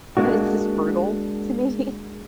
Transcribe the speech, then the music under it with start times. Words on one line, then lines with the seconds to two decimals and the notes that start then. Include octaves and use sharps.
it's just brutal to me.
0.17 G#3 A#3 D4 F#4